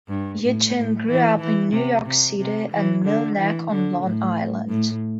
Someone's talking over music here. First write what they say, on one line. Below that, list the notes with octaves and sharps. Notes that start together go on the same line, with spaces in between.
Eugene grew up in New York City and Mill Neck on Long Island.
G2
A2
A2
E3
E3
C3
C3
C3
E3
D3
E3
D3
A2
A2